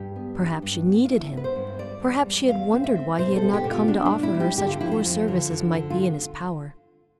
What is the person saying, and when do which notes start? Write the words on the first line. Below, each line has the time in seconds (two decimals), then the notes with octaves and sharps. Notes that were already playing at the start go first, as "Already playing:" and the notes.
Perhaps she needed him--perhaps she had wondered why he had not come to offer her such poor service as might be in his power.
Already playing: G2 G4
0.16 B3
0.40 D4
0.62 G2
0.86 B3
1.05 F4
1.09 D4 E4
1.33 B3 B4
1.44 C5
1.56 G2
1.79 G3 D5
2.02 E2
2.26 G3
2.49 E2 F5
2.72 C4
2.84 E5
2.95 C4
3.18 B2 C5
3.36 A4
3.42 B3
3.53 G4
3.65 B2
3.70 F4
3.88 B2 D4
4.06 D4
4.11 G3
4.23 E4
4.35 G3
4.40 G4
4.58 D3 G4
4.69 F4
4.81 F3 E4
4.92 F4
5.04 F2
5.28 D3
5.51 F2
5.74 D3
5.90 F4